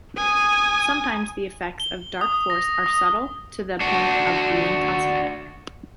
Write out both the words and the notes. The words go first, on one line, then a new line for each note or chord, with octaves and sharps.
Sometimes the effects of Darkforce are subtle to the point of being cosmetic.
G#5 D#6
G7
D#6
A#6
D#6
D4 F#4